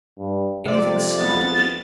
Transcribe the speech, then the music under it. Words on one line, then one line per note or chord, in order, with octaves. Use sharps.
Anything sluttish?
G2
F2 C3 D5
B3 A6